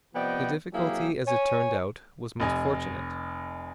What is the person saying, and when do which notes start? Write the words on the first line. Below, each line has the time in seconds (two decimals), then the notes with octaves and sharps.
The difficulty as it turned out was most fortunate.
0.14 C3 F3 B3 D5 D#5 G5
0.73 C3 F#3 A#3 E4 G4 G#4
1.26 C#5 G#5
2.40 F1 D#5 G#5